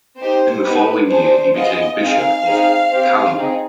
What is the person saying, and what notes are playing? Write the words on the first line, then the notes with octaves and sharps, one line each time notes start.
In the following year, he became bishop of Palermo.
C4 D#4 G4 C5
B3 D#4 G4 B4
D4 G#4 C5
B3 F4 G#4 D#5
C4 D#4 G#4 F5
C4 D#4 G#4
C4 G4
C4 D#4 G#4